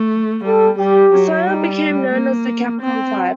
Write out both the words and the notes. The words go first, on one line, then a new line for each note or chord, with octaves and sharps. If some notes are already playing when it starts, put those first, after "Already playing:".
This lineup became known as the Capcom Five.
Already playing: A3
G3 A4
G3 G4
F#3
G3 D#4
A#3
C4